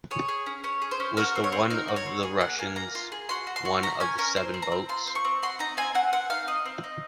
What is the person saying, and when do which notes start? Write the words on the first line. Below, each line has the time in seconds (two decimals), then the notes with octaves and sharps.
Was the one of the Russians one of the seven boats?
0.11 G#4 C#5
0.28 G#4
0.46 C#4
0.64 C#4 C#5
0.82 G#4
0.91 C5
1.00 C#4
1.17 F#4 A#4
1.36 C4
1.44 C#5
1.52 C4
1.70 D#4 A#4
1.88 F#4
1.96 C#5
2.06 C4
2.23 G#4
2.40 A#3 F#5
2.58 A#3 G#5
2.76 A#3 A#5
2.95 F4
3.12 G#4
3.29 F#4 C6
3.47 F#4
3.56 C6
3.65 F#4
3.83 C#4 A#5
4.00 C#4 G#5
4.18 C#4 A#4
4.36 C4 C5
4.54 C4
4.62 A#5
4.72 C4
4.89 F4 C6
5.07 C4
5.15 C#6
5.25 C4
5.43 F#4 C6
5.59 D#4 A#5
5.77 C4 G#5
5.95 C4 F#5
6.13 C4 F#5
6.30 D#4 F5
6.48 C4 D#5
6.65 C4
6.84 D#4